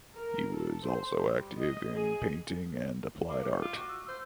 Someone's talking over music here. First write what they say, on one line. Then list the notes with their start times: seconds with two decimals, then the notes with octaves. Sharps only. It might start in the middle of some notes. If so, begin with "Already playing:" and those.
He was also active in painting and applied art.
0.16 A#4
0.55 A4
0.85 C5
1.21 G3
1.60 D#5
1.95 G#4
3.29 A#3 D6
3.46 G3 D#5
3.62 F4 D6
3.77 F#4
3.89 E6
4.09 C5 E6